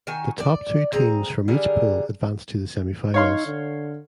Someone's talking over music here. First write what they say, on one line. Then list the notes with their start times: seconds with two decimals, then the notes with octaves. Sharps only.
The top two teams from each pool advanced to the semifinals.
0.07 D#3 F#4 G#5
0.40 D5
0.93 C4 G#4 A#5
1.48 D3 G3 G#4 A#4
3.14 D#4 C#5 F5 C6
3.46 D3